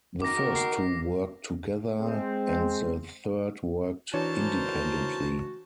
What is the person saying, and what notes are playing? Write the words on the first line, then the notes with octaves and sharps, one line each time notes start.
The first two worked together, and the third worked independently.
D#3 F#4 A#4 D6 A#6
C7
G#3 C4
E3 D4 D#4 F#4 A#4 C5 C#5 A5